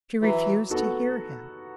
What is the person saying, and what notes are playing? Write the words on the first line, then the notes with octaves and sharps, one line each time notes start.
She refused to hear him.
E3 F#3
B3 F#4 A4